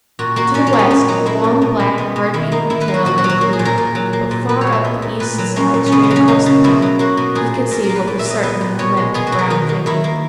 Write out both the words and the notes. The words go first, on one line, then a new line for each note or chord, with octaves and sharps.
To the west, the long, black, hard-beaten trail lay clear; but far up the east side, straight across the path, he could see what was certainly a limp, brown figure.
A#2 F#4
A#3 F#4
A#2 C#4
C#4
A#3
B3
A#2 C#4
F#3 D#4
A#3 E4
A#2
B2
G#3
B3
B2
D#3 E4
A#3 D#4
D#3 E4
B4
A#3
F#4
A#2 F#4
F#4
F#3
F#4
A#3
G#4
A#2
A#4
A#2
F#3
A#3
A#2
A#2 B4
C#5
G#3
E5
B3
A#2
A#2 B4
F#3
A#3 C#4
A#2
C#4
C#3 B3
B3
F#3
C#4
A#3 D#4
C#3
B2 E4
F#3
A#3 F#4
B2
A#2 G#4
A#3
A#2 A#4
A#4
A#3
B4
A#2
E5
F#3
D#5
B3 B4
A#2
B2 C#5
G#3
B3 G#4
F#4
B2
A#4
D#3 D#4
A#3
D#3 E4
A#3